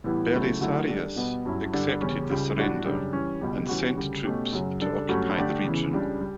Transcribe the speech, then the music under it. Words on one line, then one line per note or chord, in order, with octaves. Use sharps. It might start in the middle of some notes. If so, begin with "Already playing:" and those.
Belisarius accepted the surrender and sent troops to occupy the region.
A2 E3 G3 B3 E4
C#2 C#3 F#3 A3 E4
D3 F#3 A3 E4 G4
G3 D4 A4
B2 G3 B3
G2 F#3 C#4 E4
G2 D3 G3 D4 A4
E2 C#3 G3 C#4
C#2 C#3 G3
A2 G3 D4 F#4
F#2 C#3 G3 D4
E3 G3 C#4
C#2 B2 G3
E3 G3 C#4 F#4
D2 C#3 G3
B2 A3 C#4 G4
F#2 C#3 F#3
C#3 G3 D4 A4
G2 F#3 A3 C#4 F#4
D3 A3 D4 G4 D5
E2 C#3 E3
C#2 C#3 G3 D4
G3